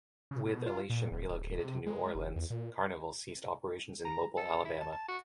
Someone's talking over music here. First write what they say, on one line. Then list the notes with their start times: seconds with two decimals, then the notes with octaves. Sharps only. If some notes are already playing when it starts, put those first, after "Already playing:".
With "Elation" relocated to New Orleans, Carnival ceased operations in Mobile, Alabama.
0.31 C#3
0.45 B2
0.66 F4
0.90 A#2
1.12 D1
1.30 D1
1.44 D1
1.59 C3
1.86 G#3
2.15 F#1
2.36 E2
2.50 A#2
4.05 A#5
4.37 A4
4.65 E4
4.81 A5
4.92 A5
5.09 F#4